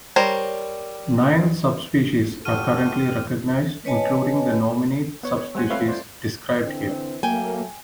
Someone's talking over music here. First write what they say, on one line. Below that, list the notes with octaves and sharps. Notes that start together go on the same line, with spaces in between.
Nine subspecies are currently recognized, including the nominate subspecies described here.
G3 A#4 C5 C#5 A#5
C4 F#4 G4 A4 F6 D#7
B4 C#5 D#5 G#5 A5
B3 C#5
C#5
G3 G#3 C5 F#5 G#5
A3 C4 B4 C#5 E5 F5
C5 D5
D3 E3 C4
F#3 A3 A#3 G5 G#5